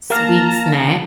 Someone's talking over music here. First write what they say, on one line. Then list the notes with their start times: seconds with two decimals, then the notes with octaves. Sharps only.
sweet snack.
0.10 A#3 F5 A5 A#5